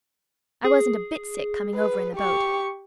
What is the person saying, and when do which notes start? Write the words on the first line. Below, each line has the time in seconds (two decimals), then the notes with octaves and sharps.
I wasn't a bit sick coming over in the boat.
0.65 G#4
1.75 B4
2.16 G4 C#6